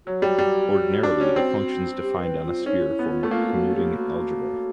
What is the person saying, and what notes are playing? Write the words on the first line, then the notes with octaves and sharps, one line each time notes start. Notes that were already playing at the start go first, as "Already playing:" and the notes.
Ordinarily, the functions defined on a sphere form a commuting algebra.
F#3 F#4
G3
G3
F#4
D4
C#4
C4
G4
A#4
B4
F4
C#4 D#4
F4
E4
B3
F4
A3
A#3 F4
F4
F#4
G4
F#4